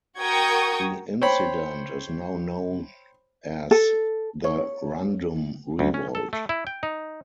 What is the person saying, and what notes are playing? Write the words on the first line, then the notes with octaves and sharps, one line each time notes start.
The incident is now known as the Rundum Revolt.
F#4 A#4 G5 C#6 D#6 G#6
C5 C#5 G5 B5
A4
C#5
D2
C#4
A4
A3
E4
G5
D#4